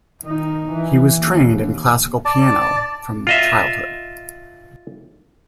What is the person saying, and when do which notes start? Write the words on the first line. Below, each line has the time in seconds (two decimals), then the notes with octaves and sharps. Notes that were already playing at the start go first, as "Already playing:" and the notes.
He was trained in classical piano from childhood.
0.24 D#3 D#4
0.72 E3
1.17 D#2
2.25 D5 A5
3.27 F4 D#5 E5